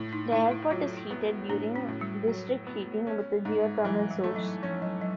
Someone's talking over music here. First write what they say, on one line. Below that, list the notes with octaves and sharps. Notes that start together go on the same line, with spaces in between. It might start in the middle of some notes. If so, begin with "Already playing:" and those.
The airport is heated using district heating with a geothermal source.
Already playing: A2
D#4
A2 D#4
E4
F#3 F4
E4
B3
A2 D4
C#4
A2
G3
F#3
B3
C#4
G#2
E3 F#3
G3
A3
F#3
F3 C#4
F#3
F#3